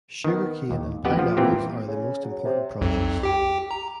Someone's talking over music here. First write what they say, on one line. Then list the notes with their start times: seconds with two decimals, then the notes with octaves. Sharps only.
Sugar cane and pineapples are the most important produce.
0.24 D#3 B3
0.71 D#2
1.05 F2 B3 G4 D#5 F#5
1.19 F3
1.37 A#2 E3 C4 F4 G4
1.88 C#3
2.24 F#3
2.44 C3
2.81 B1 F2
3.23 G4 G5
3.71 A#5